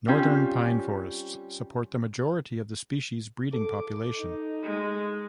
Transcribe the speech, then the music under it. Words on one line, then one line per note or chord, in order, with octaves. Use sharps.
Northern pine forests supports the majority of the species breeding population.
G3 C4 C#4 F4
A4 D6
D#4
G#3